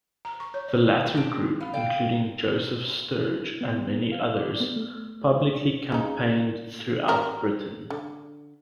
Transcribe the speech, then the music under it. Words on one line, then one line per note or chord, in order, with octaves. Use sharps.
The latter group, including Joseph Sturge and many others, publicly campaigned throughout Britain.
A#5
C#6
C#5
D5
D#3
G#3 G4 A5
B3 F5
D3 D5 F5 G5
E4
B3
F5
D5
B3
A3
C#3 D#4
G4 A#4
D3